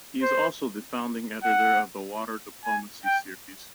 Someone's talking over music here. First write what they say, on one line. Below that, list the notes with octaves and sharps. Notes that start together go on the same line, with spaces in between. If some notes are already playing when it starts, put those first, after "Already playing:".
He is also the Founding Editor of the "Water Diplomacy Series".
C5
F#5
G#5
G5